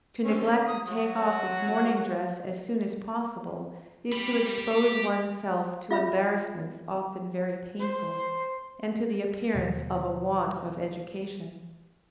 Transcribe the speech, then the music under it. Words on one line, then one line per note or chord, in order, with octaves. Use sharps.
To neglect to take off this morning dress as soon as possible, is to expose one's self to embarrassments often very painful, and to the appearance of a want of education.
D3 C4 C#4
D#6
F#3 F#4
G4 B5
F4 E5 B5
C5
D#2 B2 D3 E3